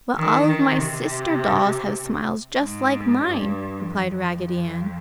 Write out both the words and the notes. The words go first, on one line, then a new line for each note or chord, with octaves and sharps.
"But all of my sister dolls have smiles just like mine!" replied Raggedy Ann.
D#3
D#3
C3
G#2
G2
F2